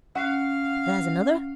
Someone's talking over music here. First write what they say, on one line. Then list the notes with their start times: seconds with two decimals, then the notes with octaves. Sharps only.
There's another.
0.15 C#4 F5 F#5